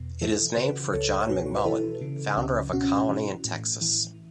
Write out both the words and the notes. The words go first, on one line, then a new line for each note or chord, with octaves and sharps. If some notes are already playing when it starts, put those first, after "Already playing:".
It is named for John McMullen, founder of a colony in Texas.
Already playing: E2 B2
E3 E4 A4
C#3 F#4 B4
C#2 A4 C#5
C#5
B2 F#4 B4
C#5
B4
E3 E4 A4
C#3
C#2 C#4 F#4
B2 C#4 F#4
E3
A2
E3